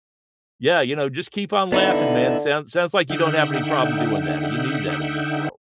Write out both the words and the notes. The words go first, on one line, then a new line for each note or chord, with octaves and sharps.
yeah, you know, just keep on laughing, man. Sounds sounds, like, you don't have any problem doing that, and you need that in this world.
D3 B3 D#4 E4
D3 D#4 E5 F#5 G5